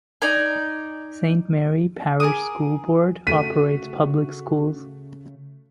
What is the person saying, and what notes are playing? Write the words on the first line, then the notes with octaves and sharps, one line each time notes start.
Saint Mary Parish School Board operates public schools.
D#4 D5 G#5
G#4 A#4 D6 D#6
C#3 A3 F#4 B6 D#7